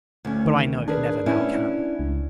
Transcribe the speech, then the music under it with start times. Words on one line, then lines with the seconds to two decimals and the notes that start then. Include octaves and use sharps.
But, I know, it never now can.
0.25 D2 C#4
0.45 D#3
0.88 D4 G#4 A#4 B4
1.26 B3 C#4 E4
1.99 C#2